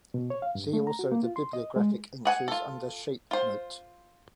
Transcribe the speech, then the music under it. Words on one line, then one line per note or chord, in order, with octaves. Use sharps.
See also the bibliographic entries under Shape note.
B2
C#5
F5
G2
A3
A#5
F#4
A#3
F4
C6
D#5
G#3
G#4 F#5 G#5
F4 A4
F4 C5